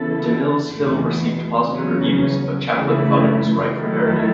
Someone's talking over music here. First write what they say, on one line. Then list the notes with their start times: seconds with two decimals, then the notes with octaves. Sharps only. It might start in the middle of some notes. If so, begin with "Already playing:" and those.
DeMille's film received positive reviews but Chaplin thought it was ripe for parody.
Already playing: C#3 E3 B3 E4 A4
0.68 E2 B2 A3
1.70 E2 C#3 F#3 C#4
2.72 C#3 E3 A3 E4
3.74 D#3 F#3 A3 E4 A4